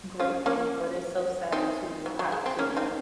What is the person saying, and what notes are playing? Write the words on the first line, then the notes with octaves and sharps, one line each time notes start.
great thing, but it's so sad to have to,
C#4 F4
A#3 C#4
C4 D#4
F#3
F#3
G#3
C4
A#3 C#4
C4 D#4